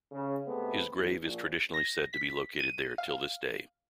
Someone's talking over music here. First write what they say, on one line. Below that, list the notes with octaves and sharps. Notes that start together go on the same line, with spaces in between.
His grave is traditionally said to be located there till this day.
C#3
C3 G#3 A3 B3
E2
A#1
A#6
B6
D#7
F5